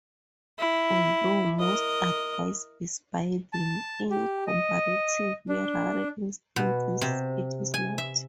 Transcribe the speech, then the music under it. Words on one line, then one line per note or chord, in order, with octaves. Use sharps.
Although most advice is binding, in comparatively rare instances it is not.
E4
A#4 D#5
A5
G4
D#5
D4
B2
C3
G#5
E5